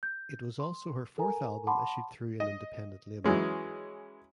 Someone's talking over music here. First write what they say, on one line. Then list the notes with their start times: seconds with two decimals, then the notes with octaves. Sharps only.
It was also her fourth album issued through an independent label.
0.03 G6
0.60 C6
1.18 A4 A#4 G#5 A#5
1.67 F#5 A5 B5 C6 D6
2.40 D#5
3.24 E3 F#3 G#3 C#4